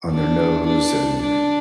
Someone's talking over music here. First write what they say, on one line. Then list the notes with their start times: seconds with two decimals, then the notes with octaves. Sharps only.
on their nose, and
0.11 D4
0.66 D4
1.21 D4